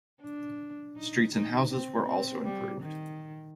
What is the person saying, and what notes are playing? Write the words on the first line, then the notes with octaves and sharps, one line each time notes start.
Streets and houses were also improved.
D4
D#4
D#4
C4
C4
G3
D#3